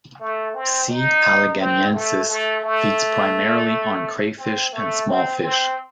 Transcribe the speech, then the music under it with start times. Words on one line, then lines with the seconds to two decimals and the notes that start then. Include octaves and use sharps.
"C. alleganiensis" feeds primarily on crayfish and small fish.
0.20 A3
0.55 C4
0.89 D#4
1.60 C4
1.94 A3
2.29 A3
2.64 A3
4.38 C4
4.73 A3
5.08 C4
5.43 C4